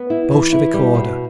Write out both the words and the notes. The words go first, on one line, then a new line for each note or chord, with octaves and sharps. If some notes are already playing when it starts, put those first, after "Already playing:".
Bolshevik order.
Already playing: B3
E4
E3
E4
G3
B2